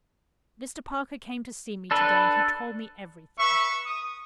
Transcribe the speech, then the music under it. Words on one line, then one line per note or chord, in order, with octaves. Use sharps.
"Mr. Parker came to see me to-day, and he told me everything."
D4 A4 B4
B4 E5 C#6
D#6